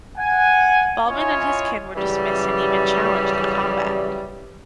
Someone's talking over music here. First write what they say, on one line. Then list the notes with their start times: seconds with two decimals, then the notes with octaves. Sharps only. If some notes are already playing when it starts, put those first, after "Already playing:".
Balban and his kin were dismissed and even challenged in combat.
0.18 F#5 G#5
1.07 C#4 E4 F4 C#5 D#5 G#5
1.95 F#2 C#3 E3 G3